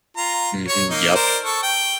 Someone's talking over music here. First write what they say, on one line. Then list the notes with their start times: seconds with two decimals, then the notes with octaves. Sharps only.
Mhm. Yep.
0.17 F4 A#5
0.68 C#5 C#6
0.91 A#3 D#4
1.16 A#4 C5 D5
1.44 A4 C#6
1.63 G5